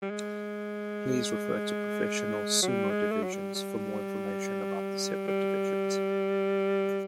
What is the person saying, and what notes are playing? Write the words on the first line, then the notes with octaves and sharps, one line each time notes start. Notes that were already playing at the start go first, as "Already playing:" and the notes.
Please refer to Professional sumo divisions for more information about the separate divisions.
G3
G#3
F#3
G3
G#3
A3
F#3
G3
G3
G3